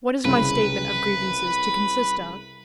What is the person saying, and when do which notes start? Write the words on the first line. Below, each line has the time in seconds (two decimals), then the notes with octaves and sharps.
"What is my statement of grievances to consist of?"
0.25 C2 C#3 B4